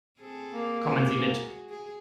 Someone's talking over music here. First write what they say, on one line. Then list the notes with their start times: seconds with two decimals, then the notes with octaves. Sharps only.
Kommen Sie mit.
0.19 C4 G#4 A4
0.54 A#3
0.83 G#3 E4 G#4
1.12 F#4 G#4
1.69 G#4